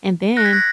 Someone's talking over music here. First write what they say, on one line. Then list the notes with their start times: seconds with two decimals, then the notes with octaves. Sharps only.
And then,
0.37 F#6 A#6
0.45 G#6 B6
0.53 F#6 A#6